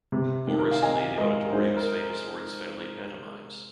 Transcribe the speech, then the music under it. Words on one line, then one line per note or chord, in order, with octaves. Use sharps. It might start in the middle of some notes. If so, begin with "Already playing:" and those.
More recently the Auditorium is famous for its Family Pantomimes.
C3
D#3
A#4
F5
C4 D#5 G#5
G#3 A#4 D#5
G#2 G#4 C5
A#4